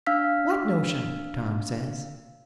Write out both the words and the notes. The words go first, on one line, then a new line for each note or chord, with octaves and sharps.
"What notion?" Tom says.
D4 F5 E6 F6 B6